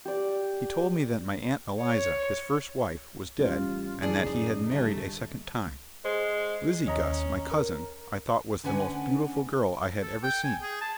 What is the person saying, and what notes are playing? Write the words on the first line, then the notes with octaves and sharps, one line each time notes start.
He told me that my Aunt Eliza, his first wife, was dead, and that he had married a second time; Lizzie Guss, my cousin, I thought was the most beautiful girl I had ever seen.
G4 D5
C#5
A1 G3 C#4 F4
E3 G#4 D5 A5
A#1 F#2 C#3 D#4
G1 D3 G3 A3
G#3 C5
D#2 C#4 D#5 A#5
A#4
D2 D3 C#4 B4 F#5 G#5
A4
G5
G#5
G#4
A5